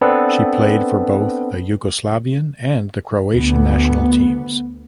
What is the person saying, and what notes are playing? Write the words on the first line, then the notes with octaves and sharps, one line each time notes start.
She played for both the Yugoslavian and the Croatian national teams.
B3 C4 D4 A4 B4
D2 B3